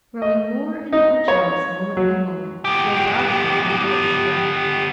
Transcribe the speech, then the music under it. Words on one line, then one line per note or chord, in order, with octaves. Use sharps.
Growing more and more jealous moment by moment, still doggedly he held his ground.
D#5
D#4
C#5
F#3
B3 G4